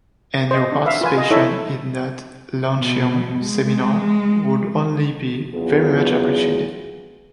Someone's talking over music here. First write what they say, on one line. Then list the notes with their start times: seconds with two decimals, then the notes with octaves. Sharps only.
And your participation in that luncheon seminar would only be very much appreciated.
0.51 C5 D#5
0.72 D4
0.85 B4 E5 F5
1.01 F4 B4 G#5
1.17 D#5 C6
1.30 D#4 E4 A4 C#5 E5
2.79 B2
3.41 G#3
5.53 E2 F#3 B3 F4 G#4